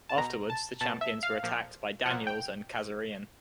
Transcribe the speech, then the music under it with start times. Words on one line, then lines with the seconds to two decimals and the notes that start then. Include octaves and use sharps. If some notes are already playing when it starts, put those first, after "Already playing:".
Afterwards, the champions were attacked by Daniels and Kazarian.
0.09 A5
0.17 B2 A#5
0.50 A5
0.81 B2 A5
1.01 E5
1.23 F5
1.43 A#2 F3
2.05 A#2 F3 F#5
2.27 G5